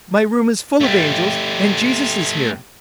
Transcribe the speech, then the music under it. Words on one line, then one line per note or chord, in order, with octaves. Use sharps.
My room is full of angels and Jesus is here.
A3 G4